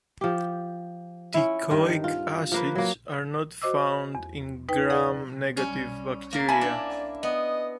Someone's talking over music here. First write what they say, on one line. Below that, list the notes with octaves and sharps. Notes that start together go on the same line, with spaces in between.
Teichoic acids are not found in Gram-negative bacteria.
F3 G4
C#4 E4
G2 D#3
F4
F3 A#3 B4
F#3 A#3
F#4 C5 D#5 D6 E6
E2
D#4 B4 G5
G#4 D5 F#5
G3 C#4
A#3 A#4
E4 G#5 A5 B5
D4 D5
B3 D#5